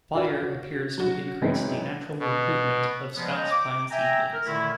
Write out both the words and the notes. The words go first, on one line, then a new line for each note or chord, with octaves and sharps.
Fire appears to increase the natural recruitment of Scots pine seedlings.
F4 F#4 D5
F#4
F#3 F#4
F#2 E3 G#3 B3 C4 D#4
B2
F3 G3 G#3 B3
C#5 D#5 G5 A#5
D6
E5 G5 G#5 A#5
A#4
A#2 D3 D#3 A3 C#4 E4